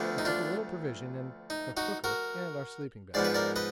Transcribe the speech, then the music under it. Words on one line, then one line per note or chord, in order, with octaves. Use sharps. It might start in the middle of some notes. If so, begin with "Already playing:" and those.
We took a little provision and a cooker and our sleeping-bags.
Already playing: D2 D3 F3 B3
D#4
D4 F4
D#4
D#4 F#4
F#4 A#4
G#2 F3 B3 D5
B4
A#4 D5
B4 D#5